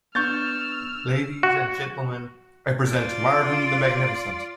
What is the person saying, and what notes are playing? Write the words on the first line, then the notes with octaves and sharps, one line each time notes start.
Ladies and gentlemen, I present Marvin the magnificent.
B3 D4 C#6 E6 F6 G6 A6
F#4
F4 D5